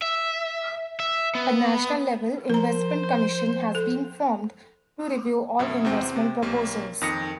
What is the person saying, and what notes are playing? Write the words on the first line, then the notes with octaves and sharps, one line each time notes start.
A national investment commission has been formed to review all investment proposals.
E5
E5
B3
F3 A#4 C5 A#5
A4
F#2 B2 E5
E2 C3 C4
C3
B1 A#3 G4
F2 D#3 D#6 A#6 C#7